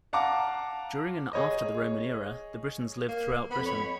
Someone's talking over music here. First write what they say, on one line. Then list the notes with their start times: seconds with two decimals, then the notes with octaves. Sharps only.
During and after the Roman era, the Britons lived throughout Britain.
0.13 F5 F#5 A5 A#5 D6
1.33 G#4 C#5 D#5
3.08 A#3
3.51 F2 B3 B5
3.65 C#5